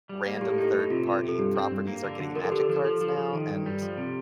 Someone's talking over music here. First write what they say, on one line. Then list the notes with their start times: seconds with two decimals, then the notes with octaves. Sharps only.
random third-party properties are getting Magic cards now, and
0.09 G3
0.26 A#3
0.41 A2 G4
0.51 A4
0.58 D#4 G4
0.74 A2
0.90 C3 F4
1.07 C3
1.23 C3 A4
1.39 G2 G4
1.56 C4
1.71 G2
1.87 A#3
2.04 D3
2.20 D3
2.36 F3 A#4
2.44 A4
2.52 D3 G4
2.60 A4
2.69 F3
2.84 F3 A4
3.01 F3
3.18 F3
3.33 D#3
3.50 G2
3.66 G3
3.82 F3
3.98 C3